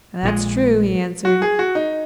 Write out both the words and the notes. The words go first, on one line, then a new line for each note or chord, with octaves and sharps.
"That's true," he answered.
A#1 A#2 G#3
F#4
G#4
F#4
D#4